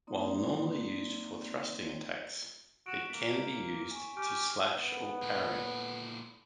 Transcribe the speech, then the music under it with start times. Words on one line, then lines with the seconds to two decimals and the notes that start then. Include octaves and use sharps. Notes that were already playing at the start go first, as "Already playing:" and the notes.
While normally used for thrusting attacks, it can be used to slash or parry.
0.07 A#3 C4 D#4 D5 C6
2.86 F#4 D7 E7
3.10 A#3 B6
3.91 G#5 C#6
4.17 G4 G#5 F6 D7
4.76 B3
5.22 A#2 A4